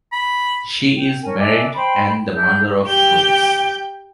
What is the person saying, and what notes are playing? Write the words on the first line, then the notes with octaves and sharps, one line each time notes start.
She is married and the mother of twins.
B5
G5
C#4 D4 A#4 G#5
D4 D#5 E5 G#5
C5 G5 B5 C6
D4 E4 G#4 G6
G4 G5